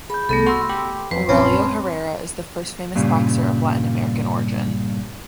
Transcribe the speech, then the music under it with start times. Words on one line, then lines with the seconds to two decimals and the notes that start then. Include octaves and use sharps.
Aurelio Herrera is the first famous boxer of Latin American origin.
0.10 G#4 B5 G6
0.29 C2 A3 B3 A4 B5 A#6
0.47 F#4 C6 E6
0.69 G4
1.11 F2 B4 C7
1.29 A#1 F#2 C4 C#4 A5 B5 C6
2.95 G2 A#2 C#3 G3